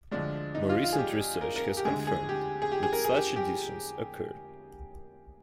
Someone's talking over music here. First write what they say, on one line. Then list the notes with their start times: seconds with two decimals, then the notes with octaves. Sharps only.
More recent research has confirmed that such additions occurred.
0.11 D2 D3 F3 G#3 D4
0.55 D#4
0.69 F4
0.84 F4
0.93 G#4
0.98 G4
1.41 A#4
1.56 A#4
1.77 G4
1.85 D2 D3 G#3 G#4
2.07 G#4
2.29 G4
2.62 G#4
2.72 G4
2.83 G#4
2.93 A#4
3.05 G#4
3.15 G4
3.36 G4